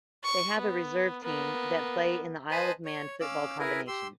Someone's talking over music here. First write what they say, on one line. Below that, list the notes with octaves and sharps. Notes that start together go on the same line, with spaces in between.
They have a reserve team that play in the Isle of Man Football Combination.
C#6
B3
A#3 B3
B4 C5 D#5 G#5 A5 B5
C#5
C#4 F5 D6 E6
E4 G#4 A#4 B4
G4 C6 E6